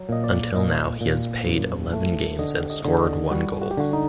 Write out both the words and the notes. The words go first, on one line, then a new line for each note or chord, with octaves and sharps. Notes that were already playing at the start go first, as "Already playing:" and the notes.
Until now, he has payed eleven games and scored one goal.
Already playing: F#3
A#2 D#5
D5
A#2 D#5
A#2
F#2
A3
D3 D#5
D#5
D3
D#5
G3 F#4
F#4
G4
D3 F#4
D#4